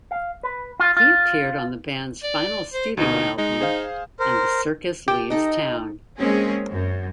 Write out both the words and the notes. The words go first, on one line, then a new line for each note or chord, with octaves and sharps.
He appeared on the band's final studio album "...And the Circus Leaves Town".
F5
B4
F4
F4
D5
C5
D2 B2 D#4
G#3 D#4
G#4 C5 F5
A#4 C5
G4 G5 A5
D#4 A4 D#5
G#3 A#3 C4 C#4 G#4
F#2